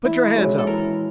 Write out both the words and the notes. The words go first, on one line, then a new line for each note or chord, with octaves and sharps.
"Put your hands up!"
E3 E4
G#3 C#4 F#4
A4
E3 A#4